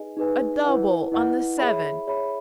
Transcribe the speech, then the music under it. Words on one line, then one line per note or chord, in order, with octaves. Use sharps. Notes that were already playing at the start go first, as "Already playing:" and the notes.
"A 'double' on the seven!"
Already playing: D#4 G#4 B4 D#5 G#5
D#4 G#4 B4 D#5 G#5
E4 B4 D#5 F#5
E4 B4 D#5 F#5
G#4 C#5 E5 B5
G#4 C#5 E5 B5